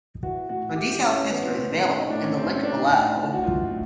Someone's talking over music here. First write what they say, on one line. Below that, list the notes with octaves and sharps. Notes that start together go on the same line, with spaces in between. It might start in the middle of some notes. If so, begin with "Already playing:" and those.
A detailed history is available in the link below.
E3 F#4
A2 F#4
E3 G4
G4
E3 C#4
C#4
E3 B3
C4
A2 B3
C4
E3 C#4
D#4
A2 D4
C#4
A2 C4
C#4
E3 D4
D#4
A2
A2
F#4
E3 F4
A2